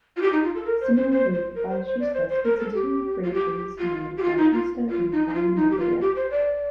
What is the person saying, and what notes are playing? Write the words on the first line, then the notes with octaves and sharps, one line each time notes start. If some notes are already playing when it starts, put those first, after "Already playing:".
Similarly the Vasishta splits into two branches named Vasishta and Vainateya.
F4
G4
D#4
F4
A4
A#4
C5
C5
C5
C5
A#4
C5
C5
D5
C5
C5
A#4
A4
G4
F4
G4
F4
G4
F4
D#4
F4
F4
D#4
D#4
F4
D#4
G4
F4
G4
C5
D5